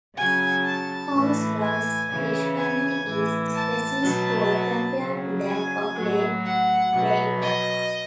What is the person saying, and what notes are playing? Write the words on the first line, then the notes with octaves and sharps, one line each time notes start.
Hovsgol's fish community is species-poor compared to that of Lake Baikal.
C#3 F#3 G#5
A5
A2 E3
G#5
C#3 E3
G#5
A2 E3
A5
B2 F#3
C#3 F#3
G#5
A2 F#3
F#5
B2 F#3
D#5